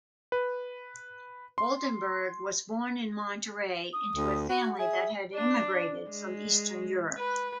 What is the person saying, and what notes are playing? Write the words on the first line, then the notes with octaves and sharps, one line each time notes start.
Woldenberg was born in Monterrey into a family that had immigrated from Eastern Europe.
B4
C6
D#6
D2
F#4 F#5
G#4 E5
D4
G#3
B4